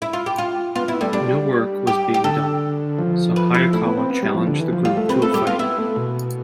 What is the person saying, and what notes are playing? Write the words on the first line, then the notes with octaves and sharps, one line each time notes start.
No work was being done, so Hayakawa challenged the group to a fight.
E4
F4
G4
F4
B3 F4
B3 E4
G3 A3
G3 D4
G4
G4
D3 A4
F3
B4
E4
A3 E4
B3
C4
B3
G3
F3
D3
E3
F3
G3 F4
A3
C4 B4
A3 A4
G3 G4
B3 F4
B3 E4
A3
B2